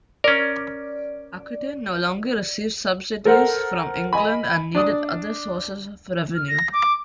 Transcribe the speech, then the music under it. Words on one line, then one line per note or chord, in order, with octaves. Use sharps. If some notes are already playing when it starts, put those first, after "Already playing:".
Aquitaine no longer received subsidies from England and needed other sources of revenue.
C#4 A#4 D5
A4 A#4 C5 F#5
D#5 G#5 B5
D4 D5 D#6
F6
A#6
D6